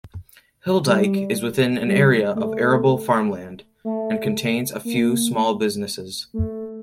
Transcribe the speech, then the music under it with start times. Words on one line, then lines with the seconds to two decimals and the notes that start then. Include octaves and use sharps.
Hilldyke is within an area of arable farmland, and contains a few small businesses.
0.86 G3
1.86 G3
2.35 A3
3.85 A3
4.85 A#3
6.34 A3